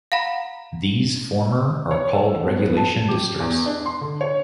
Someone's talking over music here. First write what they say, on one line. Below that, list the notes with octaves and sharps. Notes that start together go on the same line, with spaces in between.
These former are called regulation districts.
F5 F#5 A#5 B5
C#5
A4
B3
B3
A5
G4
E2
D4
C6
D3
C#5